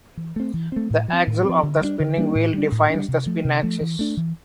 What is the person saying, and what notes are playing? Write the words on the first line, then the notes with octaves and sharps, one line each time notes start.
The axle of the spinning wheel defines the spin axis.
E3
A3 C4
E3
A3 C4
A2
F3 C4
A2
F3 C4
D3
G3 A#3 D4
D3
G3 A#3 D4
A2
G3 D4
A2
G3 D4
C3
F3 A3
C3
F3 A3
E3
A3 D4
E3